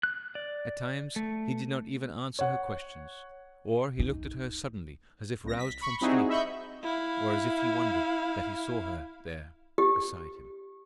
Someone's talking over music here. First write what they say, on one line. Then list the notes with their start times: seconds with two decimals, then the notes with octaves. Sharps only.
At times he did not even answer her questions, or he looked at her suddenly as if roused from sleep, or as if he wondered that he saw her there beside him.
0.03 F#6
0.35 D5
1.16 A3
2.39 C#5 F#5
3.99 D#4
5.44 C2 A#6
5.58 B6
5.81 B5 C#6
6.01 G3 C4 D#4 E4 F#4 G#4
6.28 D#5 E5 B5 C#6 G6
6.83 E4 F5
9.78 G4